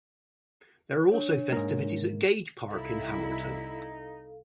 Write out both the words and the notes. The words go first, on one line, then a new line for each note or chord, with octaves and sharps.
There are also festivities at Gage Park in Hamilton.
D4 C#5
G#2 A#3
C2 D#4 E4 A4 F5